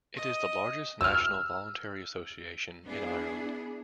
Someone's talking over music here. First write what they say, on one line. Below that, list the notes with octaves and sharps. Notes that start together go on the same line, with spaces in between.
It is the largest national voluntary association in Ireland.
D#5
E6 F6
B3 D4 E4 G#4